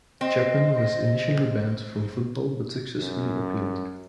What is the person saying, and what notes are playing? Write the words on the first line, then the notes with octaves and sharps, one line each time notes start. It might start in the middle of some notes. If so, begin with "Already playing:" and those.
Chapman was initially banned from football but successfully appealed.
C4 D#5
F#2